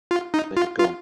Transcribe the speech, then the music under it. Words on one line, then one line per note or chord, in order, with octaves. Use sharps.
They have gone.
F4
D#4
F4
F4